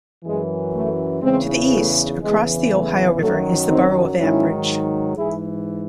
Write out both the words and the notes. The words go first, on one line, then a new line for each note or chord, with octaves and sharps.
To the east, across the Ohio River, is the borough of Ambridge.
F#2 E3 G#3
A3
E2 C#3 E3 G#3 C4
A3
E2 C#3 E3 G#3
A3
F#2 D#3 F#3 A3
C4 D#4
G#2 D#3 F#3 C#4 E4
G#2 E3 E4 G#4